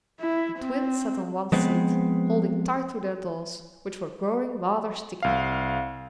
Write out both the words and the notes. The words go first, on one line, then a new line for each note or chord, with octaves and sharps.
The Twins sat on one seat, holding tight to their dolls, which were growing rather sticky.
E4
C4
F3 G#3 B3 C4
C2 F5